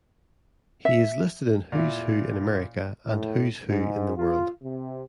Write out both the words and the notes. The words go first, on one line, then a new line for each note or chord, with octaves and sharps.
He is listed in Who's Who in America and Who's Who in the World.
E5
A#2 E4
A2
G#2
F4
C3